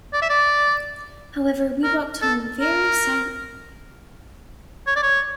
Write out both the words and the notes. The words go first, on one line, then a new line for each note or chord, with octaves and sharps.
However, we walked home very silently.
D5
E5
D5
A#4
A4
A#4
C#5
D5
C#5